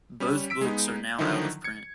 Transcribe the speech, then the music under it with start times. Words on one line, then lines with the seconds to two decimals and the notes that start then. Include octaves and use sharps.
Both books are now out of print.
0.20 G3 C#4
0.50 E6 B6 D7
0.61 G#3 B3 D#4
1.18 D3 D#3 F3 F#3 D#4 E4
1.64 G#6 C#7